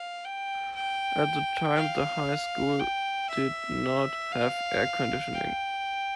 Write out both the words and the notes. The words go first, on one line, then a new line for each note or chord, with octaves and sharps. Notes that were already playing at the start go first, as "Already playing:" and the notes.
At the time the high school did not have air conditioning.
Already playing: F5
G5
G5
F5
G5
E5
F5
G5